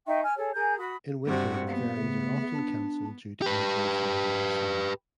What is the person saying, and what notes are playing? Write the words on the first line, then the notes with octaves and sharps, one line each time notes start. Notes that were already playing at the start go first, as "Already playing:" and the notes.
In winter the ferries are often cancelled due to adverse weather or swell.
D#4 E5 G5 C#6
G#5 F6
G#4 A4 C#5
G#4 A#4 G#5 G6
F#4 B5 D#6
G2 C3 F#4
A#3 B3
C#3 A3
D4
G4 B4